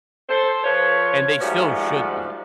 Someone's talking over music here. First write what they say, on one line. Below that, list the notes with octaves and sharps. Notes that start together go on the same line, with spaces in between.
and they still should be
A4 C5
F3 F4 B4 C#5
G#2 F3 G3 A3 F4 F#4